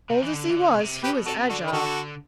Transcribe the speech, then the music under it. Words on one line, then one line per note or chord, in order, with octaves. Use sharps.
Old as he was, he was agile.
C3
E3
D3
E3
D3
B2
C3
B2 G4 B4
C3 F#4 A4
D3 F#4 A4
B4
D3 F#4 A4